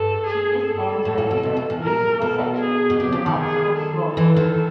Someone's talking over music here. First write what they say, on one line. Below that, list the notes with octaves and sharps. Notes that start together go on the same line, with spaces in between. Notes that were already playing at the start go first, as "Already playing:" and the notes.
She is and editor of the musical section in "Hrvatsko slovo".
Already playing: G2 A4
G#4
A4
A2
A#2
B2
C3
B2
A#2
A#4
B2 A4
G#4
B2
C3 G4
C#3
D#3
G#4
A4
E3
D#3